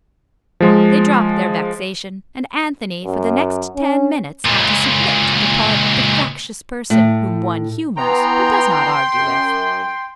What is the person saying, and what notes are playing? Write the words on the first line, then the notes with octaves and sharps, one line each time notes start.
They dropped their vexation, and Anthony for the next ten minutes had to submit to the part of the fractious person whom one humours but does not argue with.
F3 G#3
F#2
C#4
C#2 A#2
A2
E3 B3 G5 A#5 C6
F#2